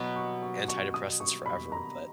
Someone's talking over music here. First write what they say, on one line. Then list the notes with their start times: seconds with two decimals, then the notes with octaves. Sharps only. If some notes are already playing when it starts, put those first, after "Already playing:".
antidepressants forever, but,
Already playing: B2 F#3 B3 C#6
0.16 C#6
0.42 C#6
0.68 C#6
0.94 D#6
1.20 C#6
1.46 B5
1.72 A#5